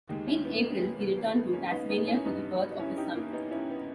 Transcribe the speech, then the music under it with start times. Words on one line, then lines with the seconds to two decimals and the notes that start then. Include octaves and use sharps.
In April he returned to Tasmania for the birth of his son.
0.09 D#2 D#3 G#3 D#4 G4
0.27 C#4 E4
0.45 B3
0.56 B3
0.63 A#3
0.81 B3
0.99 B3
1.17 A#3
1.35 B3
1.53 A#3 C#4
1.71 B3 D#4
1.89 B3 D#4
2.07 C#4 E4
2.25 G2 G3 B3 D#4
2.79 C#4 E4
2.97 D#4 G4
3.15 A#3
3.33 B3 D#4
3.51 C#4 E4
3.70 B3